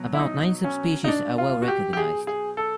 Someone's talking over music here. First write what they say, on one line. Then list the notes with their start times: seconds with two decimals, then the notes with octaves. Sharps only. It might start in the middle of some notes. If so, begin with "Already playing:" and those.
About nine subspecies are well recognized.
Already playing: B2 F#3
0.14 E4
0.19 D#4
0.64 C#4
1.04 D#4
1.08 D4
1.38 F4
1.62 F#4
1.68 G4
1.93 G4
1.97 G#4
2.27 G#4
2.57 A4